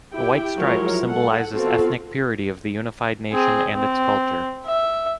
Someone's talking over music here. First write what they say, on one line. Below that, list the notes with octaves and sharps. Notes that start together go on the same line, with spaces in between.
The white stripes symbolizes ethnic purity of the unified nation and its culture.
E4 G4 G5
F3 F#3 G#3 E4 A#4 C#5
A4 F#5
B3 C4 F4 F#4 A4
C4 G#4
C4
E5